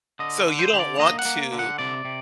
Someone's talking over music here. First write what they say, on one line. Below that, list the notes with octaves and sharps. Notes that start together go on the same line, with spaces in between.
so, you don't want to,
D3 D#5
D3
C5
D3
D5
A#3 D#5
F#5
A#3
D3
F#5
C3 D5
C3